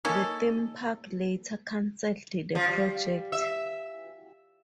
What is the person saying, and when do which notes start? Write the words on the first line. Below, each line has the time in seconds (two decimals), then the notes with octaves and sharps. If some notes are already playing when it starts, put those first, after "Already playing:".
The theme park later canceled the project.
0.05 A#3 C#4 D#4 A4
2.55 F3
2.67 G3
3.32 E5